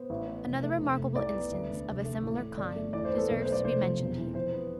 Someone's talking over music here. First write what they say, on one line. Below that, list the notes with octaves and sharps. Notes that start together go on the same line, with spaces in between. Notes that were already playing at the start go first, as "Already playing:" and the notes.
Another remarkable instance of a similar kind deserves to be mentioned here.
Already playing: B3 C5
A1
B3
F1
A3
F1
F1
C2 D5
B3
D2
D2
F1
A3
A1
A1
G1 D5
A3
E2 D5
C5
B3
A4
B1
C5
A3
D5
F1 C5
F3
E1
E3
F2 C5
B3